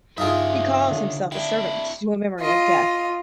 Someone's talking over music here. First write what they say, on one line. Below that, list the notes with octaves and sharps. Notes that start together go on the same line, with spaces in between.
He calls himself a servant to a memory of death.
G2 C#3 D#4 F4 G#4 E5 G5
D3
D4 E4 G5
F4 D#5